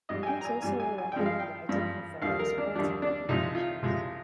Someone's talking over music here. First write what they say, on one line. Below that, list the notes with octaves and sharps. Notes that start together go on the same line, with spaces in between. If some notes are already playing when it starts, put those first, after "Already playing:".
He is also a regular writer for various party publications.
G#2 G3 D#5
G#5
G5
A#5
G#5
G#2 G3 G#5
G#5
G#5
G2 F3 G#3 G5
F5
G5
G2 F3 G#3
D#2 D3 G3 F5
A#4
D4
D#2 D3 G3 D4
D4
C2 C3 F3 G#3 D#4
F4
C2 C3 F3 G#3